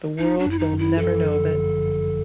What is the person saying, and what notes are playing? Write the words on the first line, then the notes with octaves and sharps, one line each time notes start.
The world will never know of it.
G1 D#4
D4
F#2 E4
D#4
F#2
E4
F3 A4
D3
G1
G1